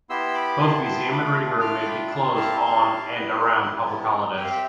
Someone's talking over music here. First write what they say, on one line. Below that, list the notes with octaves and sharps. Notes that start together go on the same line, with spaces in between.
Both museum and reading room may be closed on and around public holidays.
B3 E4 G4 C6 E6
B5 D6
A5 C6
A5 C6
A3 D4 F4 B5 D6
D6 F6
A5
G5 B5
C4 E4 G4 F5 A5
F5 A5
F5 A5
B3 E4 G4 B4
B4
A4
C4 G4
G5
F5
E5 G5